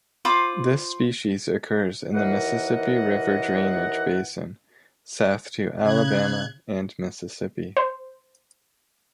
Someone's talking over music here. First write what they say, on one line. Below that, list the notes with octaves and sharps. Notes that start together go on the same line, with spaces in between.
This species occurs in the Mississippi River drainage basin south to Alabama and Mississippi.
F4 C5 B5 D6
D#2 E3 A#4 D#5 F#5
C#3 F#6 G#6
C5